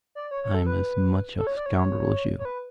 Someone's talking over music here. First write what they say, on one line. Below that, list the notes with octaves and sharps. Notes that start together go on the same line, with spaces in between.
I am as much a scoundrel as you.
D5
C#5
C#5
A4
B4
A4
C#5
D5
C#5
C#5
B4